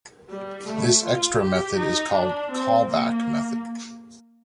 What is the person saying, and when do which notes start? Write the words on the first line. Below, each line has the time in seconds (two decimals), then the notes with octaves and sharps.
This extra method is called CallBack Method.
0.29 G3
0.67 A3
1.04 F4
1.40 G4
1.78 D#4
2.14 D4
2.52 C4
2.89 A#3